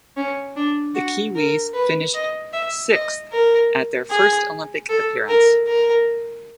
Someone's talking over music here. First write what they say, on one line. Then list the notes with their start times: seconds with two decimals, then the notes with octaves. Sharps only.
The Kiwi's finished sixth at their first Olympic appearance.
0.17 C#4
0.57 D4
0.95 F#4
1.35 A#4
1.74 B4
2.14 D#5
2.53 E5
2.92 D#5
3.32 A#4
4.11 G#4
4.90 A4
5.29 A#4
5.68 A#4